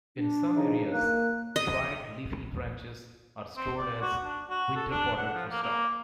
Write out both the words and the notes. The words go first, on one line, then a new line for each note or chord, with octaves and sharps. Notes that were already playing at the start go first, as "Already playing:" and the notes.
In some areas, dried leafy branches are stored as winter fodder for stock.
D4
C#3 F3 D#4
A#3 F#6
D#5
C4
D5
F#4
D4
F#4
A4
D4
F#5
F3
A#3
A#3